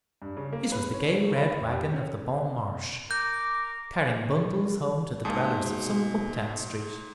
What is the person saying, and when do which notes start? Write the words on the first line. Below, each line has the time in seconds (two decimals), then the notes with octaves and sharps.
It was the gay red wagon of the Bon Marche, carrying bundles home to the dwellers of some up-town street.
0.22 G2
0.37 C#3
0.53 A#3
0.72 B4
0.94 C#5
1.08 C#5
1.23 A3
1.36 B5
1.57 F1
1.72 G4
1.94 C#4
3.11 A#4 D6 G6
5.25 G#2 B2 G#3 A#3 G#4 A5 D#6